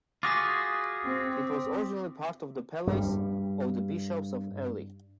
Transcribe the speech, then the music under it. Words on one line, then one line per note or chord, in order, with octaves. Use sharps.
It was originally part of the palace of the bishops of Ely.
F4 F#4 G#4 D6 D#6 B6
C4
G2 G3